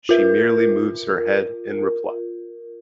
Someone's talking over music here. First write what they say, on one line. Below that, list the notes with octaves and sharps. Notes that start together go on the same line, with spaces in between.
She merely moves her head in reply.
F4 A#4